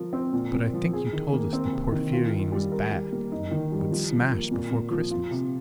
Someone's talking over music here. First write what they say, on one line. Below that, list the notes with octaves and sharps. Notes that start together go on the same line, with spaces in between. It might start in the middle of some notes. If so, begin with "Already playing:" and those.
"But I think you told us the Porphyrion was bad, and would smash before Christmas."
Already playing: F3 A#4
C4
A#2
A#2
F3
G#4
D#3
A#3
C4
C3
D#3
F4
D#3
G3
A#4
G3
A#3
D#4
D#3
G3
F3
F3
A#3
A#2
A#2
F3
F4
C3